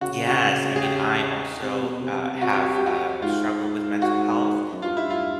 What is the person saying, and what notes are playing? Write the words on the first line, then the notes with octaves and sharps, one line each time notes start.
Yes, I mean, I also, uh, have, um, struggled with mental health,
C#3 F#4
F#4
G#4
G4
C3
B2
C3
C3
C3 F#4
G4
F#4
G4
F#4
G#2 F4
F#4
F#2
G2 F4
E4
F4